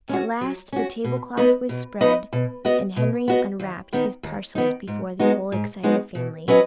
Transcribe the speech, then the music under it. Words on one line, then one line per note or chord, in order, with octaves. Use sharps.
At last the tablecloth was spread and Henry unwrapped his parcels before the whole excited family.
C#4 F#4
F#3
C#4 F#4
B2
B3 D#4 B4 D#5
B2
B3 D#4 B4 D#5
B2
B3 F#4 D#5
B2
B3 F#4 D#5
D#2
D#3 B3 D#4
D#2
D#3 B3 D#4
G#2
G#3 B3 D#4 F#4
G#2
G#3 B3 D#4 F#4
B2
F#3 C#4 B4 D#5